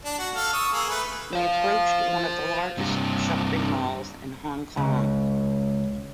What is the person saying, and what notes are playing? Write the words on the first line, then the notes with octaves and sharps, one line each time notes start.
We approached one of the largest shopping malls in Hong Kong.
D4
F#4
A4 F5
C#6 D#6 E6
A#3 G#4
A3 B4
C5 F5
G2 C3
C#2